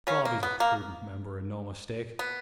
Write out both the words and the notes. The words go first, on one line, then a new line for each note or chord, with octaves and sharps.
Gob, he's a prudent member and no mistake.
C#3 C#4
A#3
B3
A#3
B3